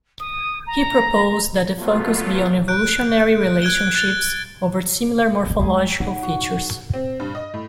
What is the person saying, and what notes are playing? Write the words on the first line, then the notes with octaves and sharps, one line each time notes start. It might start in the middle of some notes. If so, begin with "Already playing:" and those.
He proposed that the focus be on evolutionary relationships over similar morphological features.
D#6
A#5
F#3 A3 B3 F4
F#6 G6 D7
F#6 G#6 D7 G7
F#6 A6 G7
D1 D3
D#2 G#3 G4 G#4 G#5
D#4 C#5 F#5
F#4 F#5
C4
G2
D#5
A2